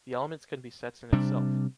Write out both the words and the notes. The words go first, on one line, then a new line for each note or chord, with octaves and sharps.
The elements can be sets in itself.
C3 G3 D4